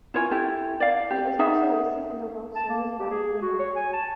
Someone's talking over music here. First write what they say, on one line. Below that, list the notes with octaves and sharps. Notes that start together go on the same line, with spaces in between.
He is also racing in the World Series by Renault.
E4 F4 C#5 G#5
E4 G4 A4
D5 F5
G4
D#4 G#4 E5 F#5
A5
A#3
G4
G#4
F#4
C#5
G#5
A5